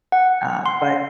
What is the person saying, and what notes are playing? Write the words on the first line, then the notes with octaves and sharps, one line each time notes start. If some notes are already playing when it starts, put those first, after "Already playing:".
uh, but.
F#5
C6